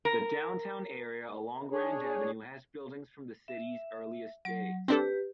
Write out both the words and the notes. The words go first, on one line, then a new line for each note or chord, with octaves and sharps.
The downtown area along Grand Avenue has buildings from the city's earliest days.
A#4
D4 G#4 C#5
E5
F#3 D7
C4 D4 G4 A4 B4